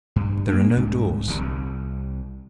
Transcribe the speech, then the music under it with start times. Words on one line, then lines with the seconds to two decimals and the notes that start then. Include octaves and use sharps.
There are no doors.
0.16 G2
0.49 A#3 D4
0.77 C2 G#2
1.27 G1 D2 D#3 G3
1.42 C2